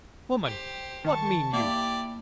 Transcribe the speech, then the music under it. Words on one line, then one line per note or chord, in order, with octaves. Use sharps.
"Woman, what mean you?"
G4 C5
D#3 A5 C#6
A#3 E4 G4 D5